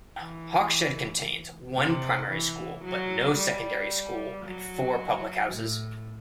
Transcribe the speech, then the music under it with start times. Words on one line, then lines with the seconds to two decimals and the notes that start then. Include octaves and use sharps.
Hawkshead contains one primary school but no secondary school and four public houses.
0.17 E3
1.77 C3
2.30 E3
2.84 F#3
3.37 G3
4.45 F#3
5.52 A2